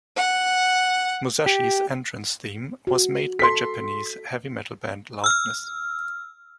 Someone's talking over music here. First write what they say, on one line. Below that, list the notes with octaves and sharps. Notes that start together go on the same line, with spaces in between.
Musashi's entrance theme was made by Japanese heavy metal band Loudness.
F#5
G4
F#4
A4 C6 B6
E6 F6